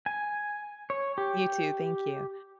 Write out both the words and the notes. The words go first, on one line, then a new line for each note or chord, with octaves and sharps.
You too. Thank you.
G#5
C#5
G4